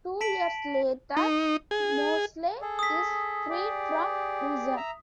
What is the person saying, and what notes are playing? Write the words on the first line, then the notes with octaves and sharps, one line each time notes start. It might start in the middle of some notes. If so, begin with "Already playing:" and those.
Two years later, Mosley is freed from prison.
A5 B6 D7 F#7
D#4
G#4
G#4 A4
D#6 B6
G4 G#4 D5
E5 A#5